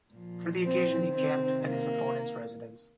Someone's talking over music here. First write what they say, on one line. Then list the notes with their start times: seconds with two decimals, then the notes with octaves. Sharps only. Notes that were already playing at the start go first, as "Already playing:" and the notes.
For the occasion he camped at his opponents residence.
0.14 A#2 F3
0.63 C4
1.14 C3 D#3 C4
1.64 A#3